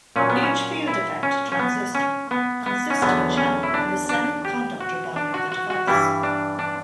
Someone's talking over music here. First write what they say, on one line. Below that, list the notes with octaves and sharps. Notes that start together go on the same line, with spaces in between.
Each field-effect transistor consists of a channel in the semiconductor body of the device.
A#2 F#3 C#4
B3
C#4
E4
C#4
C#4
B3
C#4
B3
B3
C#4
E2 D3 F#3 B3
C#4
E4
D4
D4
G4
F#4
D4
F#4
F#4
F#4
G2 E3 G3 E4
D4
D4